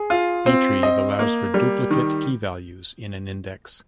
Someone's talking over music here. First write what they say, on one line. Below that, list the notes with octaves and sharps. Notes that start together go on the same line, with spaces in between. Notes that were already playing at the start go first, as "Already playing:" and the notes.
Btrieve allows for duplicate key values in an index.
Already playing: G#4
F4
C4
D#5
A#3
G3
D#3